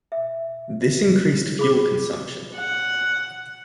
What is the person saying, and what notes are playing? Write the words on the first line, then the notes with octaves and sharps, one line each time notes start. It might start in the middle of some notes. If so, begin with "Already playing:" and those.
This increased fuel consumption.
E5
E4
G#4 B5 D6
F#5